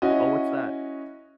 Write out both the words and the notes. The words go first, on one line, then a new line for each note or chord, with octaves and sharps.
Oh, what's that?
C#4 E4 F#4 D#5